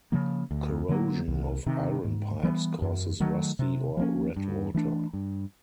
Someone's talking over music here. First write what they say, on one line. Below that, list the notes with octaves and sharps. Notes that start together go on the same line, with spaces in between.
Corrosion of iron pipes causes rusty or red water.
C#3 F3 A#3
D2
D3 F#3 A#3
C2
C3 D#3
G#2
E3 G3 B3
F#2
D#3 F#3 A3
C3
F3 A#3 C#4
G2
E3 A3 D4
G2